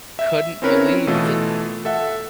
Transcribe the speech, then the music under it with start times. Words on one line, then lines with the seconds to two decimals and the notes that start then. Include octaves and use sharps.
couldn't believe that
0.19 E5
0.62 C4 C#4 E4 A#4 B4 C#5
1.07 B2 E3 A3 F4 A4
1.85 A4 E5 F#5